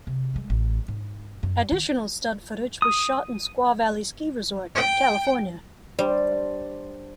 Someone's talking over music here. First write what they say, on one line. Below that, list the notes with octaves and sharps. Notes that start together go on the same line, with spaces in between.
Additional stunt footage was shot in Squaw Valley Ski Resort, California.
C3
G3 G#3
A1
G#2
F#2
D#3
D#6
G5
G3 D4 C5 D5